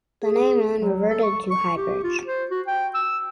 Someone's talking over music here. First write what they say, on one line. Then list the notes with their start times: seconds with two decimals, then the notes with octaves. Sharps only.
The name then reverted to High Bridge.
0.22 G#4
0.80 F#3
1.10 A4
1.23 C#6
1.50 C#6
1.77 G4
2.04 F4
2.26 C5
2.51 F#4
2.67 G5
2.94 E6